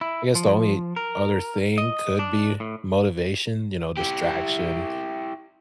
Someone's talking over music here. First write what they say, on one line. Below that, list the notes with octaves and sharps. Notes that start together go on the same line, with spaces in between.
I guess the only other thing could be motivation, you know, distraction
E4
F3
A#4
D#5
D4
A2
E4 G4